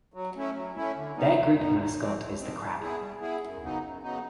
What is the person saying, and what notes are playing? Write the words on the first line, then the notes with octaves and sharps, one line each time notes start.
Their group mascot is the crab.
F#3
A3 C#4 E4
F#3
A3 C#4 E4
D3
G3 B3 D#4
D3
G3 B3 D#4
A2
F3 G#3 C4
A2
F3 G#3 C4
G3
B3 E4 G#4
G3
B3 E4 G#4
F#2
C#3 F#3 B3 D#4
F#2
C#3 F#3 B3 D#4